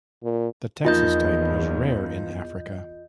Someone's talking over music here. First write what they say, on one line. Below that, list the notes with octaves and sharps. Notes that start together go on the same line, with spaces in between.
The Texas type was rare in Africa.
A#2
E2 F3 A#3 D#4 F4 D#5 G6